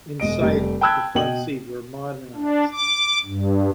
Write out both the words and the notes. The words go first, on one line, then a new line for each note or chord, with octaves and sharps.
Inside, the front seats were modernized.
E1 G#3 D#5 D7
F1 G3 A3
G5 A5 B5 E6 F#6 G#6
B2 D#5 G5 F#7
D4
D6
G2